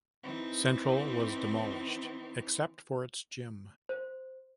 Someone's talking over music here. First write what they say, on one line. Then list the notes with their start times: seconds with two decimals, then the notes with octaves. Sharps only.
Central was demolished except for its gym.
0.23 E3 C4 D#4
3.89 C5